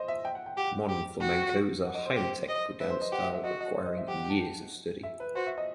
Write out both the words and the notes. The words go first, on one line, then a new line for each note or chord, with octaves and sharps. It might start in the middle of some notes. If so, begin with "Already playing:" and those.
Modern flamenco is a highly technical dance style requiring years of study.
Already playing: C5 D#5
E5
G5
F#5
G5
G4 F#5
G4
F#4 G5
G5
G5
F#5
D#5
C5
G4
D#5
B4 E5
C5
D#5
G4 F#5
E5
E5
F#4 D#5
D#5
C5
D#5
E5
G4 F#5
F#5
A5
G5
E5
B4
F#4 C5
E5
D#5